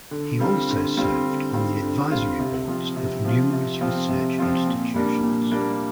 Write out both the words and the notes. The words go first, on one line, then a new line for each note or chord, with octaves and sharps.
He also served on the advisory boards of numerous research institutions.
D3
G3 C4 F4
D3
G3 C4 F4
D3
G3 C4 F4
D3
G3 C4 F4
C3
F3 C4 F4
C3
F3 C4 F4
C3
F3 C4 F4
C3
F3 C4 F4
A#2
G3 A#3 D4
A#2
G3 A#3 D4